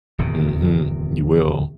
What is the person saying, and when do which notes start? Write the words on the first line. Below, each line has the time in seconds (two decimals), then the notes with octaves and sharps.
Mhm. You will.
0.18 D1 E2 C3 D#3